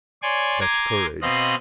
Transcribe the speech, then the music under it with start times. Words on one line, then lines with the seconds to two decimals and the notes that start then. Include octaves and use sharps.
Dutch courage.
0.22 C#5 D5 G#5 C6
0.61 G#5 A#5 C6 D6 G#6
1.22 B2 C4 D#5 F5 C6 F#6